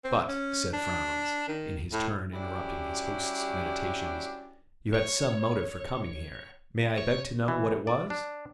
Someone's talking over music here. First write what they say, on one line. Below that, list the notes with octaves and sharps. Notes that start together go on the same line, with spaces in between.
"But," said Franz, in his turn interrupting his host's meditations, "you had some motive for coming here, may I beg to know what it was?"
C4
C#4
D4
D#3
A2
G3 C#4 D4 E4 F#4 G4
C#5
C#5
E3
D5
D4